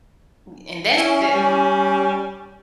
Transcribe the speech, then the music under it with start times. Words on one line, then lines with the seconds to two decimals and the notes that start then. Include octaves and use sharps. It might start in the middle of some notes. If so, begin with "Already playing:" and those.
N and that's def
0.97 C#4 E4
1.34 G3